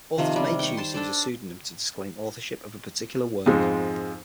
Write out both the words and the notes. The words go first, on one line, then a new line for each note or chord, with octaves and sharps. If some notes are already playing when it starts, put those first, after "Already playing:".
Authors may choose to use a pseudonym to disclaim authorship of a particular work.
C3 D#3 F3
G3
G5 C#6
C5 A5 C6
D4 A4 D5
F2 G#2 F3 G#3